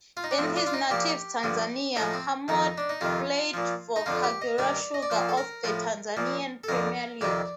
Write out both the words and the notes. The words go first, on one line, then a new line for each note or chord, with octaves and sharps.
In his native Tanzania Hamoud played for Kagera Sugar of the Tanzanian Premier League.
F4
D#4
D4
A2 F3 C4
D4
F4
D#4
A#2 F3 G4
G2 D3 F3
A2 F3 D#4
C4
F2 D#3 D#4
D4
D#4
F2 C3 D#3 F4
A#2 F3
D#4
F2 D3 F3 F4
G4
D#5
G2 D#3 D5
D#5
D5
A#2 F3 C5
A4
A#4
A2 F3
A#2 F3
A4
F2 D3 F3 A#4
F2 C3 D#3 D5